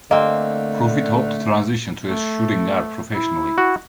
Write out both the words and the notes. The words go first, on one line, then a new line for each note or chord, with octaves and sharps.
Profit hoped to transition to a shooting guard professionally.
D3 A3 A#3 C4 D#5
A3
E4
F#4